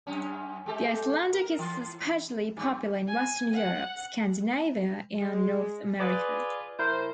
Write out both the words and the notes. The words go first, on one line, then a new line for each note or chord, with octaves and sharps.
The Icelandic is especially popular in western Europe, Scandinavia, and North America.
F#2 C#4
G#3 G4 A4
A#4
E3
G2 G3
G#5
F#5
G#3
F4 G#4 B4 D5 D6
E4 A#4 C5